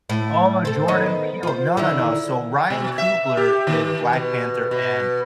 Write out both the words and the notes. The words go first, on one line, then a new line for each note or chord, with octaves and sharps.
Oh, my Jordan Peele no, no, no, so, Ryan Coogler did Black Panther and
A2
C4 A4
D#3 B3 D#5
F4 C5
D3 D#3 E4
B2
E5
G4
D#3
B2
B2